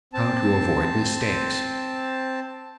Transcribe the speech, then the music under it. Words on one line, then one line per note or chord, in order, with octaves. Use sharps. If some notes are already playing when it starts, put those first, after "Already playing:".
How to Avoid Mistakes.
C4 A5